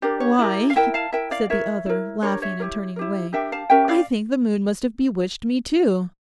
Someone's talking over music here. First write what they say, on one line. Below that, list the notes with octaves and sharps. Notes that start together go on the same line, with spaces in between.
'Why,' said the other, laughing and turning away, 'I think the moon must have bewitched me too.'
D4 G4 A#4 D5
C#5
E4 G4 A#4 D5
F5
E4 A#4 E5 G5
F5 A5
E4 A#4 E5 G5
D5 F5
E4 A#4 C#5 E5
E4 A#4
D4 G4 A#4 C#5
C#5 E5
E4 G4 A#4
A#4
E4 G4
D4 G4 A#4 E5 G5
F5 A5
C#4 G4 A#4 E5 G5
D5 F5